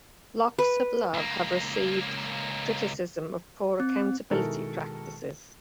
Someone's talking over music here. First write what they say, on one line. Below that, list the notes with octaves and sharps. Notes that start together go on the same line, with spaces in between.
Locks of Love has received criticism of poor accountability practices.
B4
C#2 A#3
C4
B2 D#3 G#3 E4 A4 A#4